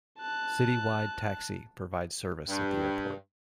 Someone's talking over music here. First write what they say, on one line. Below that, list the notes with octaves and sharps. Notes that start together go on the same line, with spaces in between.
City Wide Taxi provides service at the airport.
A5 F#6
G2